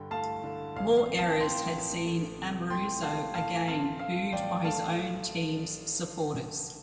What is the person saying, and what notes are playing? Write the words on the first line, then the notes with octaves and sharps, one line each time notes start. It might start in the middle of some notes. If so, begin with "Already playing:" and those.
More errors had seen Amoruso again booed by his own teams' supporters.
Already playing: G2 D3 G5
A3 F5 A5
D3
A1 F5
F5
C4
F5 A5
A1 G5 C6
A1
A3
C3
A3 G5 C6
A3 F5 A5
A2 F5 A5
C4 F5 A5
C4 F5
A1 D5 G5
A3 F5 A5